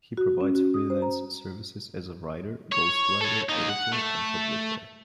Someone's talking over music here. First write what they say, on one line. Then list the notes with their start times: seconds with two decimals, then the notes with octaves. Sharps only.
He provides freelance services as a writer, ghost-writer, editor and publisher.
0.17 F#4
0.41 C#4
0.55 F#4
0.74 D#6
0.90 C5
1.02 A#5
2.72 C#5
3.21 A4 C#5
3.49 D#2 D#4
3.70 F#5
3.92 A3